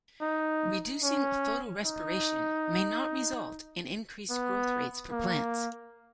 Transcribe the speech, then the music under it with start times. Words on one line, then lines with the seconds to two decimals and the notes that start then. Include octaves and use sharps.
Reducing photorespiration may not result in increased growth rates for plants.
0.21 D#4
1.03 C#4
1.85 D#4
4.30 B3
5.12 A#3